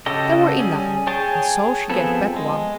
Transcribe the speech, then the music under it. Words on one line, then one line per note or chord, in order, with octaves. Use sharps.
There were eleven, and so she gave back one.
C#3 F#4 G4 A4 D#5
G3 C#4 G#4
G#4 C#5 G5 A5
F3 B3 C4 G#4 A4
G#3